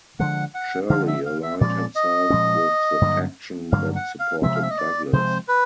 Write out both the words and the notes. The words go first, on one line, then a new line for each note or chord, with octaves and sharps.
Shirley aligned himself with the faction that supported Douglas.
D3 F3 G#3 F#5
F#5
D3 F3 G#3 F5
E5
F5
E5
A#2 F3 G#3 C#4 D5
D#5
A#2 F3 G#3 C#4
G2 D3 F#3 A#3
G2 D3 F#3 A#3 F5
F#5
F5
C3 F3 G#3 C4 E5
F5
E5
D#5
D5
C3 F3 G#3 C4 C5
B4